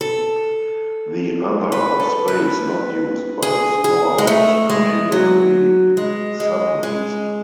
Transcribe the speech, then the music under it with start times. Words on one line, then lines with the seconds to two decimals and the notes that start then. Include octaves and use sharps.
The other of space not used by the store would continue to be subleased.
0.01 A4
1.72 B4
2.00 A4
2.28 B4
3.42 G#4
3.84 G#4
4.18 G#3
4.27 A3
4.70 G#3
5.12 F#3
5.97 G#3
6.40 G#3
6.83 G#3